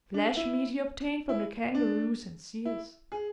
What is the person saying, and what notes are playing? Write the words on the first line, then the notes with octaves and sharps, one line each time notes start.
Flesh meat he obtained from the kangaroos and seals.
D4
E4
E4
D4
E4
G#4